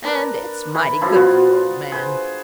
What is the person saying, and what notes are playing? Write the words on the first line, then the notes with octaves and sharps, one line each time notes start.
And it's mighty good of you, old man.
D4 A#4 B4
E3
F#2 F3 E4 F4
B3 F4 F#4
G#4 B4 C5